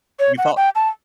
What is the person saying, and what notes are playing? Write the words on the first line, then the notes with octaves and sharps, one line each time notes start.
you felt
C#5
F#5
G5
A5